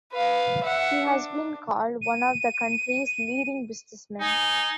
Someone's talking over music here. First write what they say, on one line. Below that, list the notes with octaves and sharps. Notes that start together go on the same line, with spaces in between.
He has been called "one of the country's leading businessmen".
B4 F5
E5 F#5
D4
D#7
D#4 G#5